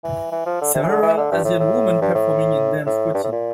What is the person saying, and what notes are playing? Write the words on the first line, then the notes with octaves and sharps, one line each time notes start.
Several Asian woman performing in dance routine.
E3
E3
F3
D3
C3
E3
D3
E3
D3
G2
A2
A2
G2
A2
A2
G2
A2
A#2